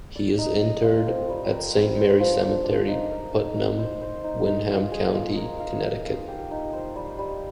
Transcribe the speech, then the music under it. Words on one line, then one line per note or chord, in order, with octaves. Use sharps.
He is interred at Saint Mary Cemetery, Putnam, Windham County, Connecticut.
D5
D#4
D#5
F4
C4
G3
A#4
C4
C5
F3
D4
D4
D#4
A#4
D#4
D#4
C5
C5
D#4
D#4
F4
G#4
F4
A#4
F5
A#4
F5
G4
D#4
C5
G3
G3